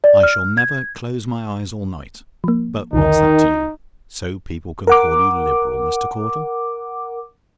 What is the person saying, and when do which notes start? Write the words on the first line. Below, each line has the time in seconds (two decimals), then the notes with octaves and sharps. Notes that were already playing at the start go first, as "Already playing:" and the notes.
I shall never close my eyes all night,--but what's that to you, so people can call you liberal, Mr. Caudle?
0.04 D5
0.23 F6
0.58 G#6
2.44 F3 A#3
2.93 B1 E2 D3 D#3 D#4
4.87 A#4 F#5 D6